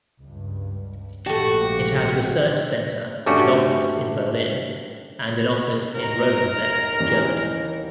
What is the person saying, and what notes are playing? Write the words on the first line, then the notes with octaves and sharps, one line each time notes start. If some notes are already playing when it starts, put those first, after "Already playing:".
It has research centre and office in Berlin, and an office in Rolandseck, Germany.
C#2 G2
A#1 G#2 F3 A3 F#4 G4 A5
G2 G3 A3 C#4 D4 F#4
D#2 A#4 A#5
E3 G3 C#4